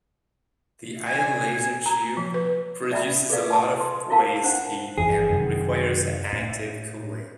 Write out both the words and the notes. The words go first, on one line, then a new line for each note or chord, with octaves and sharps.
The ion laser tube produces a lot of waste heat and requires active cooling.
G#5
A#5
F3
B4
D5 E5 G5 B5
G#4 A4 B4 D5 F5
G#5 A5
C6
E4 F4 A#4 F5 A5
D4 C5 F#5
G1 F2 E3 G#4
F#2 C3 D#3
A2